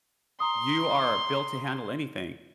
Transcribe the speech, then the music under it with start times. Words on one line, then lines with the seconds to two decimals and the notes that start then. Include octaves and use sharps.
You are built to handle anything.
0.40 A#5 C6 D#6